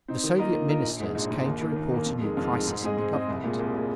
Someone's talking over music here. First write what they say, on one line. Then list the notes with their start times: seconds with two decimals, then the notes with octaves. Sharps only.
The Soviet ministers came to report a new crisis in the government.
0.08 C4 D#4
0.24 D#3
0.39 A#3 F4 A#4 D#5
0.54 D#3
0.69 A#3 F4 A#4 D#5
0.84 A#1
0.99 G#2 G#3
1.15 A#1
1.30 G#2 G#3
1.46 D#2
1.61 D#3 A#3
1.76 D#2
1.91 D#3 A#3
2.06 F2
2.21 D#3 G#3
2.37 F2
2.52 D#3 G#3
2.67 G#2
2.83 G#3 C4 G#4 D#5
2.97 G#2
3.13 G#3 C4 G#4 D#5
3.28 C2
3.44 A#2 G#3
3.59 C2
3.74 A#2 G#3